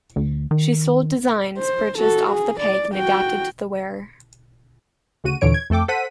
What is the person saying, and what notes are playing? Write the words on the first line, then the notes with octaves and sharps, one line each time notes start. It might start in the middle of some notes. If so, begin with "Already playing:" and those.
She sold designs purchased off the peg and adapted to the wearer.
D2
D#3
C5
F#4 A4
G#4
D5
F#4 G5
D2 C#3 F#4 D#7
D#2 A#2 D3 E3 C#5 D7
G#6
F2 A3 A4 G5 D6
A4 C5 F#5 B6 D#7